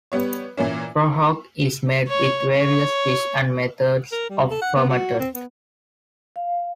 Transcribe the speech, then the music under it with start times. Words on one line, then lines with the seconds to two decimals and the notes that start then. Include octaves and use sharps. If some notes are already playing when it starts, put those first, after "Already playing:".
Prahok is made with various fish and methods of fermented.
0.12 G3 B3 C#5
0.57 A#2 E3 A#3 C#4
2.08 C#5
2.58 C#5
4.12 A#4
4.30 G3
4.51 A4
4.62 F#5
4.76 B3
4.90 F#4
5.20 C4
5.35 B3
6.36 F5